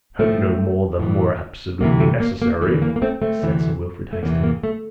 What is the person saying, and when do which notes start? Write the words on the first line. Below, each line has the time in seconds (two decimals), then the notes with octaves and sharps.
"I hope no more than were absolutely necessary!" said Sir Wilfrid, hastily.
0.19 A2 F3 A3 C4
1.00 A2 E3
1.81 D2 C3 E3 A#3
2.00 A3
2.20 A#3
2.42 A#3
2.61 E2 E3 A3
2.82 A#3
2.96 A#3
3.02 A3 C4
3.22 A3 C4
3.42 D2 C3 E3
4.13 A3
4.23 E2 C3 E3 A#3
4.43 A#3
4.63 A3